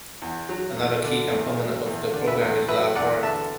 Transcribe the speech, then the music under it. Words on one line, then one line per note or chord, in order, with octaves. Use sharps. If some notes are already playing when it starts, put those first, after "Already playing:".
Another key component of the program is lab work.
E2
F#3
E2
D3
E2
F#3
E2
D3
B4 E5
E2
F#3 B4 E5
E2 D5 F#5
D3 E5 A5